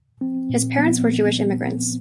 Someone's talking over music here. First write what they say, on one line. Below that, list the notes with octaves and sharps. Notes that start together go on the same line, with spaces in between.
His parents were Jewish immigrants.
F3 C4
A#2
F3 B3